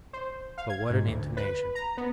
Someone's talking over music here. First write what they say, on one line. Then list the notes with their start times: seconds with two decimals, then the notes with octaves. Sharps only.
But what an intonation!
0.13 C5
0.58 F5
0.70 G#6
0.90 G#2
1.07 D2
1.37 B4
1.75 A#5
1.97 B3